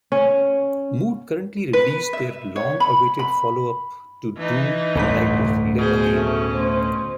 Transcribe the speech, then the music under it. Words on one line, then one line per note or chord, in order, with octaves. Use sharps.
Mood currently released their long-awaited follow up to "Doom" entitled "Live Again".
C#4
B4
E5
C#5
B5
B5
E3 D#4
G1 D2 A2 D3 B6
B2 G#4 C5
A3 C#4
C5